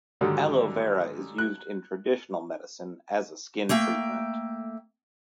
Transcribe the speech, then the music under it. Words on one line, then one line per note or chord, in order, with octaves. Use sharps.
"Aloe vera" is used in traditional medicine as a skin treatment.
G#2 D3 D#3 F#3 G3
F#6
A3 A#3 E5 G5